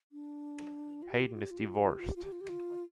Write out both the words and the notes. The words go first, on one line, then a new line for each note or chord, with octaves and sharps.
Hayden is divorced.
D4
F4
G4
F4
G4
F4
G4
F4
G4
F4
G4
F4
G4
F4
G4
F4
G4
F4
G4
F4